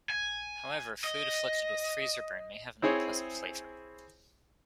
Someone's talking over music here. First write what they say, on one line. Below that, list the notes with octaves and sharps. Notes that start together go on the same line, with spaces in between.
However, food afflicted with freezer burn may have an unpleasant flavour.
G#5
D#5
C4 E4 G#4 C5 C#5